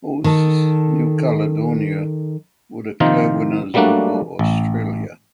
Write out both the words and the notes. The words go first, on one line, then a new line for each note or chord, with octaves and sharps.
Hosts New Caledonia were the clear winners over Australia.
D#3 A4
C3 D#3 F3 A#3 D#4 F4
F#3 G3 A3 A#3 D4 F#4
A1